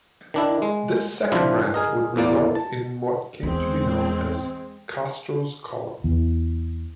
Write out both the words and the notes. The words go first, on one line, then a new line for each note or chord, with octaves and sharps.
This second grant would result in what came to be known as Castro's Colony.
D#3 D4 E4
G#3
C3 F3 D4 E4 F4
G#4 A#4 D#5
E2 A2 A#3 D5
A5
E2 G#3 C4
E2